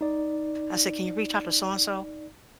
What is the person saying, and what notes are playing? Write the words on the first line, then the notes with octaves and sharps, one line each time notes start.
I said, "Can you reach out to so-and-so?"
D#4 D5